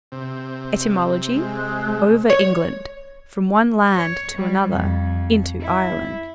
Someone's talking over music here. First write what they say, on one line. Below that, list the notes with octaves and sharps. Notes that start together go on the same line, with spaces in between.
Etymology: over England; from one land to another; into Ireland.
C3
G#3
C#5
C#5
G3
F2
E4